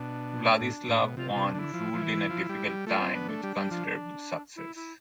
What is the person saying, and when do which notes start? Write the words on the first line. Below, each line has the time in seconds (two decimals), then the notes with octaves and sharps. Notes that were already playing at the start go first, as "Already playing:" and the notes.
Vladislav I ruled in a difficult time with considerable success.
Already playing: B2 D4
0.60 A2
0.88 A2
1.03 B2
1.17 C3 F4
1.31 C3 F4
1.45 D4
1.55 D3 E4
1.73 F3
1.94 F3
2.02 E3
2.30 F3
2.49 G3
2.68 G3
2.86 A3 F4
3.01 C4
3.14 B3 D4
3.29 A3
3.43 G3
3.57 G3
3.71 F3
4.56 E4
4.76 E4